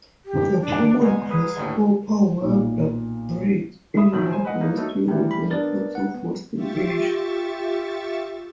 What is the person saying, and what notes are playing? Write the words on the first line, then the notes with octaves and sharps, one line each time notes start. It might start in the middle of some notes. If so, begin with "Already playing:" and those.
The common grasshopper warbler breeds in north west Europe and parts of western Asia.
G4
D4
C2 G#3 B3 G#5
G#4 B4 D#6
D#2 A2 D3
B1 A#2
E5 B5 D#6
A1 B2 D#3 F#3 B5
C5 G#5
B4 D#5 F#5
A#3 B3 D#4
F#3 A3 B3 D#4
D#3 E3 G3 A3 B3
B5
B3 D4 A#4 D5 A6
F#5
B3
F4 G4 E5 C#6 A6